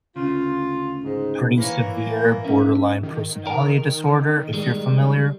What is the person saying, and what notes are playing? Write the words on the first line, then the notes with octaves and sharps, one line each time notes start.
pretty severe borderline personality disorder, if you're familiar,
D2 C#3 F4
G#2
E3 A#3 E4 C#5
C#4 E5
D#3
A#4
G3 G#3